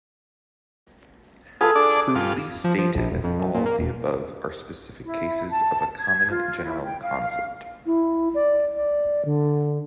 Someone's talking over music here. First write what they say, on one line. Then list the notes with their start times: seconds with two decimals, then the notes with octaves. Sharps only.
Crudely stated, all of the above are specific cases of a common general concept.
1.61 F4 G#4 A4 B4
1.75 D4 D5 A5
2.15 G2 F4
2.64 F3
2.78 F3
2.97 A#1
3.11 E1
3.24 F2
3.39 F#2
3.54 A#2
3.66 A#3
3.79 E1
5.04 E4
5.50 A5
5.99 G#6
6.30 F4
6.64 E4
6.84 G5
7.02 F5
7.86 E4
8.34 D5
8.75 D5
9.25 D3